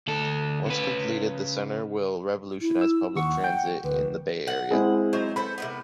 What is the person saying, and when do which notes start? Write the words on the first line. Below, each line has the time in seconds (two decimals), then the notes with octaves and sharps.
Once completed, the Center will revolutionize public transit in the Bay Area.
0.07 D2 A4
0.66 C#3 B4
2.61 E4
2.81 E6
3.16 D#2 F#5 C#6
3.44 G5
3.84 D2 B4
4.47 F#5
4.71 G#3 C4 E4
5.13 F#3 D#4 C5
5.36 B3 A4 C5 B5
5.58 C3 D#3 B3